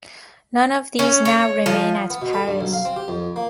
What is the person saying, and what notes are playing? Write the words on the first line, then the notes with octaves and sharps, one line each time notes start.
None of these now remain at Paris.
C#4
C#5
F3
B3
B2
A4
G2
B1
F5
C4
G4
F2
A#3